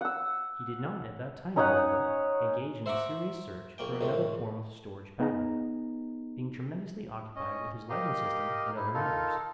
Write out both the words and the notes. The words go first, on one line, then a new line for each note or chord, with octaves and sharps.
He did not at that time, however, engage in a serious search for another form of storage battery, being tremendously occupied with his lighting system and other matters.
F#5 E6
C#4 D#4 C#5 F#5
C5 E5 F#5 A#5 C#6 D6
A#1 A#3 G5
C#2 A2 D#3 F3
B3 D#4 G#4 A#5
C#4 D#5
G4 A#4 D#5 F5
D#4 E4
D#4 F4 A4 A#4